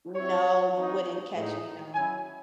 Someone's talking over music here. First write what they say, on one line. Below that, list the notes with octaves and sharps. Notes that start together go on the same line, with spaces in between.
No, you wouldn't catch me, no.
F#3 C4 E4 C#5
E3 C4 D#4
A2 G#3 D#4
F#3 C#4 E4 G#5